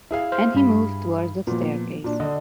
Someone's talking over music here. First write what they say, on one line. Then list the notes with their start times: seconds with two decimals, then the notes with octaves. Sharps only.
And he moved towards the staircase.
0.11 E4 G#4 F5
0.32 C5 F6
0.55 G2 B5
1.47 A#2 F3 B3
2.04 A#2 D4
2.20 D3 D#5